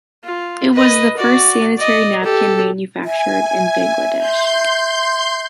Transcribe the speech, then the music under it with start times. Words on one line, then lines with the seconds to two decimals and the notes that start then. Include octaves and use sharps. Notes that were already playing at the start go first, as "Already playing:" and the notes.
It was the first Sanitary napkin manufactured in Bangladesh.
0.24 F4
0.73 B4 D#5
1.17 F#4 D5
1.77 D5 D#5
2.23 G4 A4
3.04 E5 G#5
4.18 C6 G6